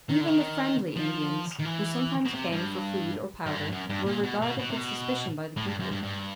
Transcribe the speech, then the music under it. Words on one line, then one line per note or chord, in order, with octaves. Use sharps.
Even the friendly Indians, who sometimes came for food or powder, were regarded with suspicion by the people.
D#3
D3
D#3
F3
D#3
E3
B2
C3
G2
F#2
G2
F#2
G2
A#2
B2
B2
B2
C3
B2
A2
G2
F#2
G2
G2